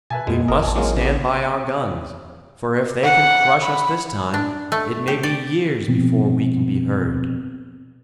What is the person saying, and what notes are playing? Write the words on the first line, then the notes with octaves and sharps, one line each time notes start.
"We must stand by our guns, for if they can crush us this time, it may be years before we can be heard."
B2 B4 E5 G#5 A5
F2 B2 G#3
G1 A#4 D#5 D6
A1 G#5 A5
E3 F#3 G#3 A#3 C4 F4
C#3 B3
F#5
B5
D4
A3
G4
D5
B2 F3 B3 C4